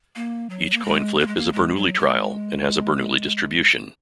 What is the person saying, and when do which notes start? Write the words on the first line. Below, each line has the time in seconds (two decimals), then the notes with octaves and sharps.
Each coin flip is a Bernoulli trial and has a Bernoulli distribution.
0.16 A#3
0.50 F#3
0.74 A#3
0.85 G#3
1.19 A#3
1.27 G#3
1.36 A#3
1.53 G#3
1.76 F#3
1.99 G#3